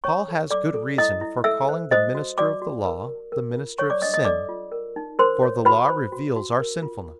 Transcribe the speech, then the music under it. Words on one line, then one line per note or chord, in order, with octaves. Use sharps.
Paul has good reason for calling the minister of the Law the minister of sin, for the Law reveals our sinfulness.
C#4 C#5 C#6
A4
A4 D5 D6
A4
E4 D#5 D#6
E4
A4 E5 E6
C5
C5 D#5 D#6
F#4
F#4 D5 D6
F#4
A#4
A#4
A#4
F4
A4 C#5 C#6
D5 D6
D4 D#5 D#6
D#5 D#6
A4 D5 D6
F4
A#4
D#4
A#4 C5 C6
C#5
F#4 B4 B5
C5
F#4
F#4
A#4
F4